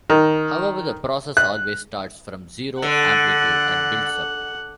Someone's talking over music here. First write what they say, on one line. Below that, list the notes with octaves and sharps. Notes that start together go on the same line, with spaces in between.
However, the process always starts from zero amplitude and builds up.
D#3
F#6
D3 F#5